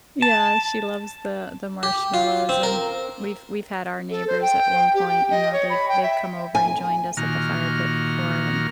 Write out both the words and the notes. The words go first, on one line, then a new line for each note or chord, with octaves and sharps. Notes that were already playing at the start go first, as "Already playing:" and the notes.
Yeah, she loves the the marshmallows, and we've we've had our neighbors at one point, you know, they've they've come over and joined us at the fire pit before, and,
A5
G4
F4
C4
A#4
A4
C5
G5
G4
G5
D#5
C#5
B5
G5
E5
G#5
A#2 D#3 F#4 A#5 F6